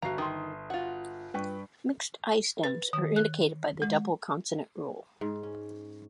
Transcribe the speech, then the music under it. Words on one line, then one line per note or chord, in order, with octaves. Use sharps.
Mixed "i"-stems are indicated by the double consonant rule.
G1 F#4 F5 A#5 C7
D#3 C6 D#6
F4 F#4
G2 B4 G5 C#6
B4
D#3
F#6
G#3
G#2
C#4